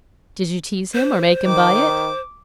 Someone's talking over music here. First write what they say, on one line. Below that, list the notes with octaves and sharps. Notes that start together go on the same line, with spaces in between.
"Did you tease him, or make him buy it?"
C5
D#3 D6